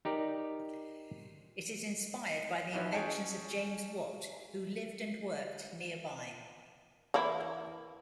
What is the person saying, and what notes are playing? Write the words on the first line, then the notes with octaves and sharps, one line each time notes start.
It is inspired by the inventions of James Watt, who lived and worked nearby.
D#4 G4 A#4 D5
E3 F3 D#4 F#4 C#5 E5
C#4 G#4 G5 A5
E3 A#3 E4